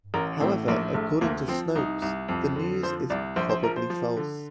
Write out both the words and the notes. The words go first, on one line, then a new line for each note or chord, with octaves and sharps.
However, according to Snopes, the news is "probably false".
A1 A#4
A2 C4
A#1 A#3
A#1 A3
D2 A#3
F3 C4
C2 D#4
C2
F2
D3
F3 C5
C2 D5
A#1 C5
C5
F3 A#4
C5
F3
D3